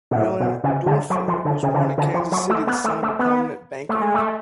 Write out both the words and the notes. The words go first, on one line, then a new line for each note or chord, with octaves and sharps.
Allendoerfer was born in Kansas City, the son of a prominent banker.
B2
A2
B2
C#3
D3
F#3
F3
D3
C#3
D3
C#3
D3
F3
F#3
A3
B3
A3
A3
B3
A3
G#3
A3